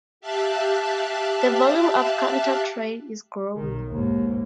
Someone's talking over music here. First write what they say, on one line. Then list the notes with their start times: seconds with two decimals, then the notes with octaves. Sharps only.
The volume of countertrade is growing.
0.21 G4 E5 F5 A5 F#6
3.56 B1 D#3
3.88 D#2 G#2